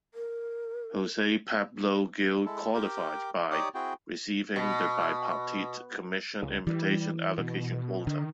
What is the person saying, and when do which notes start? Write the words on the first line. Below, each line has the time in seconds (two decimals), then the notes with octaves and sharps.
Jose Pablo Gil qualified by receiving the bipartite commission invitation allocation quota.
0.14 A#4
2.46 G#3 E4 A4
2.74 G4 A#4 G5 D6
3.51 D#4 G4 C#5 D5 D6 D#6
3.75 C4 E4 F#4 G#4 G5
4.56 B2
6.42 C#2
6.67 E3 G3
7.38 B2
8.07 D3 D#3